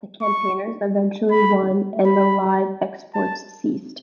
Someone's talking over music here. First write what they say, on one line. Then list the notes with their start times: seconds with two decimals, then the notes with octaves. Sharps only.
The campaigners eventually won and the live exports ceased.
0.22 C#6
1.31 B5
2.05 B5
3.14 A5